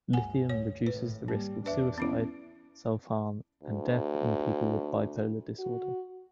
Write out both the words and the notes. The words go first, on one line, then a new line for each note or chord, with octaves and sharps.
Lithium reduces the risk of suicide, self-harm, and death in people with bipolar disorder.
G1 D2 F#5 G#5
D2 C#5
G#1 A2 B4
G3 A#3
E2 D4 B4 E5
B3 C#4 E4
D2
F#4